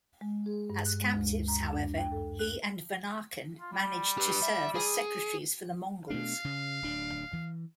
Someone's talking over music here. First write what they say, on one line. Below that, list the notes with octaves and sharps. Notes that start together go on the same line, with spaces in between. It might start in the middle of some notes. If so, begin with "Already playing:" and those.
As captives, however, he and Vanakan managed to serve as secretaries for the Mongols.
G#3
G#4
G2
F#6
G#3
D2
A#5
F#2
D4
G5
A4
F#6
F4
G3
G4 B4
E5
G#4
B2 A3 D4 F5
C#3
D1 D4
E3